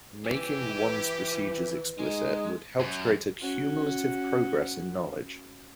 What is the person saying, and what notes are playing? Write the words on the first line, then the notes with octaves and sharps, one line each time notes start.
Making one's procedures explicit would help to create a "cumulative progress in knowledge".
E3 G4 B4
G#3 D#4
F#2
C#4 F#4